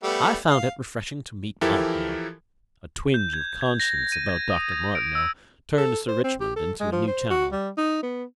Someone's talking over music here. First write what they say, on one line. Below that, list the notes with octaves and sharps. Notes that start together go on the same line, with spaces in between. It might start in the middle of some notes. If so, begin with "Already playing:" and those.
"I found it refreshing to meet Martineau." A twinge of conscience about Dr. Martineau turned Sir Richmond into a new channel.
G3 A3 B3
F5
E3 F3 E4 G4 A4 A#4
G6
G#6
G#6
A#6
D#7
G#6
D#6
G#6
D7
E6
A4
C5
C4
G4
A4
G#3
F3
C5
F#4
G3
D#4
B3